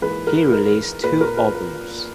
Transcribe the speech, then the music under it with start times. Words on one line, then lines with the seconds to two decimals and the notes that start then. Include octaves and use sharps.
He released two albums.
0.01 G#2 E3 A#3 B4
0.27 A#4
0.52 A#4
1.04 A#2 A#3 B4
1.21 A#4
1.37 B4
1.55 B4